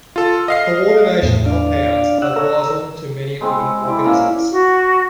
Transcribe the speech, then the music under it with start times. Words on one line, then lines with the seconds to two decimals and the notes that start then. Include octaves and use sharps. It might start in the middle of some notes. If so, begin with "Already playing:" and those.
Coordination compounds are vital to many living organisms.
0.16 F4 A4
0.48 D#5 F5 C7
1.23 E2 A2
1.46 D4 D5 F5
2.22 F#5 E6 F#6
2.36 A4 C#5 A#5 E6
3.41 G#3 B3 C4
3.83 E4 D5
4.04 A#3 C#4
4.51 F#4